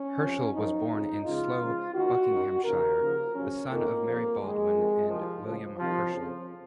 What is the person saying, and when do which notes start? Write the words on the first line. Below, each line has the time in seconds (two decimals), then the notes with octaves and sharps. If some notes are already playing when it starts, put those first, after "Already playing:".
Herschel was born in Slough, Buckinghamshire, the son of Mary Baldwin and William Herschel.
Already playing: C#4
0.20 F2 C3 F3
0.54 F#2 F3 D#4
0.90 F2 C#3 F3
1.25 C#2 C#3 F3 F4
1.59 C#2 C#3 F3
1.94 D#2 D#3 F#4
2.29 F#2 D#3
2.64 D#2 C#3 F3 A#4
2.99 D#2 C#3 F3
3.34 F#2 C#3 F3 C#4
3.69 F2 D#3 A#3
4.04 F2 C3 F3
4.39 D#2 D#3 G#3
4.74 F2 C3 D#3
5.09 C2 C3 D#3 F3
5.44 C#2 C#3 F3
5.79 C2 C3 D#3 F3
6.13 F2 C#3 F3